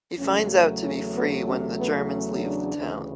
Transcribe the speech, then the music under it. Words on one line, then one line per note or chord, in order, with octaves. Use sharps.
He finds out to be free when the Germans leave the town.
E2 C#3 F#3 A3 C#4
C#4
B3
C#4
B3
C#4
D4
D2 C#3 E3